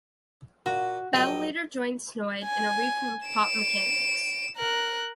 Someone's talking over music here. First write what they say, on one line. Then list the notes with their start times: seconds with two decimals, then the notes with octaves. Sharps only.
Bell later joined Snoid in a reformed Pop Mechanix.
0.66 A#2 F#4
1.14 A#1 F#3 D#5 G5
2.45 G#5
3.28 D7 E7
4.56 A#4 F#6